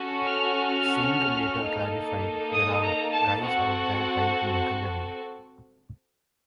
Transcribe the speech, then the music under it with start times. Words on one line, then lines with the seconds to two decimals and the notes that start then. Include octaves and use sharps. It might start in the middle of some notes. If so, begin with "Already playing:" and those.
Singh later clarified, There are guys out there trying to make a living.
Already playing: C#4 F#4 A4
0.27 F6
1.62 A#3 D#4 A4
2.52 D#6
2.82 A#5
3.12 A5
3.42 C4 F#4 A4 F#5